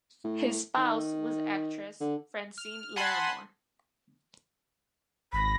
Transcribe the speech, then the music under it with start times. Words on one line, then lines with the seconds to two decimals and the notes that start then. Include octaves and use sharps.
His spouse was actress Francine Larrimore.
0.24 A2
0.77 D#3
2.00 D3
2.58 F6
2.96 F#5 G#5 A5 B5 C6
5.33 G#1 B5 A#6